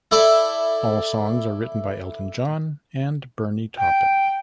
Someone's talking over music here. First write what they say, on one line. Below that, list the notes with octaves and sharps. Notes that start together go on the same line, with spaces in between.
All songs are written by Elton John and Bernie Taupin.
E4 A4 D5 E5
G5